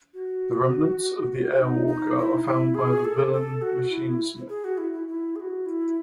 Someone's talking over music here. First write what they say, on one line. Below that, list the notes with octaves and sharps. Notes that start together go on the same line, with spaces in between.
The remnants of the Air-Walker are found by the villain Machinesmith.
F#4
D#4
D#4
E4
E4
G#4
A4
A4
F#4
E4
G#4
F#4
E4
E4
E4
G#4
F#4
E4